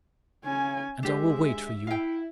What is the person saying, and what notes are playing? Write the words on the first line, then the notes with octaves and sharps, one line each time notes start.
And I will wait for you.
C#3 C#4 G#5
G#3 D4 G4 C5 E5
E4 F5 G5